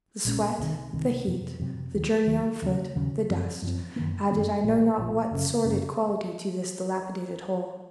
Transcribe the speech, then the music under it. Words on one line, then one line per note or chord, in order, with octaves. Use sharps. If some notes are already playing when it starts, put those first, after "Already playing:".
The sweat, the heat, the journey on foot, the dust, added I know not what sordid quality to this dilapidated whole.
A#1 A#2 G#3 C#4
C2 C3 D#3
C2 C3 D#3
F2 C3 F#3
F2 C3 F#3
D#2 D#3 F#3
D#2 D#3 F#3
D#2 C#3 F#3
D#2 C#3 F#3
F#2 F3 C4
F#2 F3 C4
F#2 D#3 A#3
F#2 D#3 A#3
A#1 A#2 F3
A#1 A#2 F3
F#1 F#2 C#3
F#1 C#3